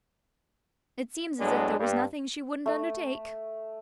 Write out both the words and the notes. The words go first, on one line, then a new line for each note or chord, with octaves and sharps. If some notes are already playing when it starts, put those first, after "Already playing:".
"It seems as if there was nothing she wouldn't undertake."
A2 F#3 G#3 B3 D4
G2
A3